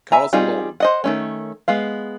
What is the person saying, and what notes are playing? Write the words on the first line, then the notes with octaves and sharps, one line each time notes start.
Cars are long.
E5 G#5 A#5
G3 C4 D#4 F4 G#4
C5 D#5 F#5
D#3 A3 C#4
G#3 B3 F5